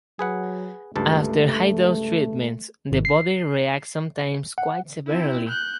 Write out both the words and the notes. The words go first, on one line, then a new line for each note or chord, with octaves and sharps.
After high-dose treatments, the body reacts, sometimes quite severely.
F#3 G#4 B4 F#5
C#2 G2 A3 A5
G#1
C7
F#5
C4 E4
F#6 G6